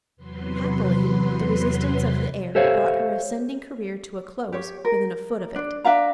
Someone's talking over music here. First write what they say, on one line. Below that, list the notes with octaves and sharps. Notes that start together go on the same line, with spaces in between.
Happily, the resistance of the air brought her ascending career to a close within a foot of it.
E2 C3 F#3 B4 C6
G4 A4 C5 C#5 E5 F5
G4 C#5
A#4
D4
D4 E5 F5 A#5